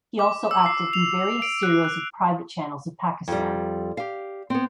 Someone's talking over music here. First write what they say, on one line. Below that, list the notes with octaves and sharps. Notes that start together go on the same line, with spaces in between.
He also acted in various serials of private channels of Pakistan.
D6
E6
C7
F7
D7
F#6
F#6
F2 G3
G4 F5
B3 C4